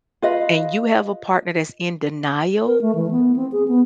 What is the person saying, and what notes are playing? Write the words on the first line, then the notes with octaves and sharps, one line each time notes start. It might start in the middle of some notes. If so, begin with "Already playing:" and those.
and you have a partner that's in denial,
F4 B4 D#5 F5
A#4
A3
E3
B3
C4
G#4
B3